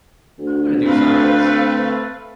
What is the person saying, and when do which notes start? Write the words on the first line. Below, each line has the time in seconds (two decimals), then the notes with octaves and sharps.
"I'm gonna do science,"
0.38 D2
0.84 A3 C4 B4 F5